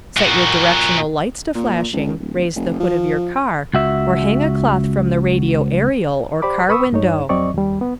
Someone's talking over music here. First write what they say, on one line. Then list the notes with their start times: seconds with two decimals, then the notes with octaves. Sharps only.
Set your directional lights to flashing, raise the hood of your car, or hang a cloth from the radio aerial or car window.
0.17 A#2 F#4
1.55 A#2
1.93 C#2
2.20 D1
2.56 F1
2.80 F3
3.74 C#2 F#4 E5
6.42 G4 C5 D5 B5 D6
6.69 B4 B5 C#6 D#6 E6
6.92 G2 D#4 C#5
7.29 F2 F#3 C4 D5 D#5 C#6
7.54 D#2 G3
7.81 B3